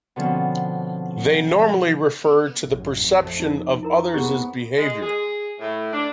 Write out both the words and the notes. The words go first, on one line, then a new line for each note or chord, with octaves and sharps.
They normally refer to the perception of others' behavior.
B2 D3 F3 C4 C#4
A1 F#2
F2
D#4
E4 A#4 A#5
B3 G4 G#4 C5
G#3
G#4
A2
D4